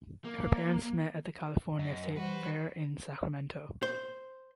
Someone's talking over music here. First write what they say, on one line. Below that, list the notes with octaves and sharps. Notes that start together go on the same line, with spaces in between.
Her parents met at the California State Fair in Sacramento.
A#3
F#2 D#5
E3 G3 F#4 B4 C5
C5